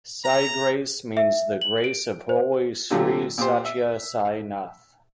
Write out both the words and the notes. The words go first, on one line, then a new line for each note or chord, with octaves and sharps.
Saigrace means ""The grace of holy Sri Satya Sai Nath"".
A#5
E5
F#7
D7
C5
A#2 D3 F#3 A3 F4 G4
A#2 G4 C5
E5